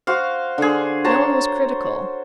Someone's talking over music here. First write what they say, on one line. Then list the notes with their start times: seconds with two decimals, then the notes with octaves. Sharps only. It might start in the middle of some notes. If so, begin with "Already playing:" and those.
No one was critical.
0.07 F#4 C5 F5
0.58 D3 G#4
1.05 C5 C#5 A5 A#5